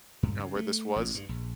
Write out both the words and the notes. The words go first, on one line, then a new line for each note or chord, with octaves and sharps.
uh, where this was,
G2
C#3
A3
A1
G2
A#1